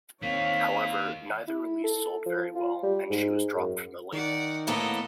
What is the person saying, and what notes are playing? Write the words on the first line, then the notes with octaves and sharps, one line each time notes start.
However, neither release sold very well, and she was dropped from the label.
D#3 A#3 C4 C#5 F5 B6
E4
A4
F3
F4
G3
G#2
F#2
D#3 D5 F#5
A2 A#3 B3 A4 D#5